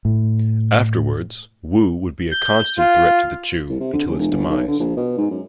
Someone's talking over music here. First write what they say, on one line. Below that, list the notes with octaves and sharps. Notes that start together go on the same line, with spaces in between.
Afterwards, Wu would be a constant threat to the Chu until its demise.
A2
G6
F4
C2
C3
D3
F#1
F1
G1
B1
D3
A#1
B2
G#2
F#2